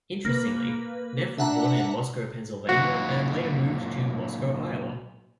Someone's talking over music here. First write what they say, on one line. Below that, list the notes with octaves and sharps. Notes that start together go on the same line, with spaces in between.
Interestingly, Neff was born in Moscow, Pennsylvania and later moved to Moscow, Iowa.
A#3 B4
D4 E5 F#5 A#5
A#2 F#3 E4 F#4